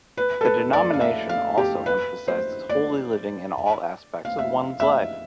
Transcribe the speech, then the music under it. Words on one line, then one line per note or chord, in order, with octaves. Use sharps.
The denomination also emphasizes holy living in all aspects of one's life.
B4
A4
B4
D5
F5
E5
F5
G4
B4
C5
D5
F5
E5
E5